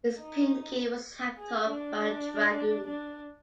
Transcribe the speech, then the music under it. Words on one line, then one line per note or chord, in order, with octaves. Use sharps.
His pinkie was hacked off by a dragoon.
D#4
G#4
D4
D4